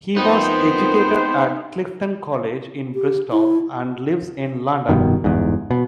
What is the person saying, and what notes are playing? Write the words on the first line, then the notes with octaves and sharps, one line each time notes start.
He was educated at Clifton College in Bristol and lives in London.
F2 B3 C4 D#4 A#4 C5
G4
E4
F1 G2 B2 D#3
G1 E2 G#2
B2